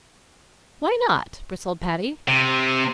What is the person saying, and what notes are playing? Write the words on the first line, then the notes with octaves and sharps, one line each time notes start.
"Why not?" bristled Patty.
C3